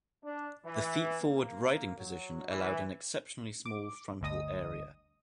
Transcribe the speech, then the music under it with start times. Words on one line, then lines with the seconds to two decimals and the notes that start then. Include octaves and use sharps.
The feet forward riding position allowed an exceptionally small frontal area.
0.24 D4
0.64 E3
1.21 A#3
1.97 F#3
2.47 E3
3.66 D6
4.21 G1 D2 D#5 D#6